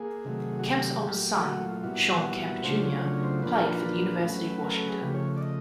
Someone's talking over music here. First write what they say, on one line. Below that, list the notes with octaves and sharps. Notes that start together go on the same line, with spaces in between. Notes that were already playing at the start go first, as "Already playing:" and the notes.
Kemp's oldest son, Shawn Kemp Junior played for the University of Washington.
Already playing: A#3 G#4
C3 D#3 F#3 A3
F#4
G4
A#2 F#3 A3
F#4
F4
F4
A#2 G3 B3 E4 F#4
C#3 F#3 A3 D4 F4 C5
C#5
C5
C#5
C5
A#2 F3 A#3 D4 F4 B4
A#4
B4
F#3 A3 C#4
A#4
A4
G#4
C#3 F3 A3 G4
C#5
D5
D#5